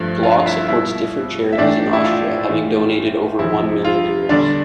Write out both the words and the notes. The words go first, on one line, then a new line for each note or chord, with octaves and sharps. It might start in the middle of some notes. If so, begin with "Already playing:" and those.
Glock supports different charities in Austria, having donated over one million euros.
Already playing: G2 F3 A3
F4 F5
E4 E5
B2 G3 E4 E5
E5
A2 E3 A3 D4 D5
E4
F4
A2 E3 A3
F2 C3 F3 E4
F4
E2 D3 G3 D4 D5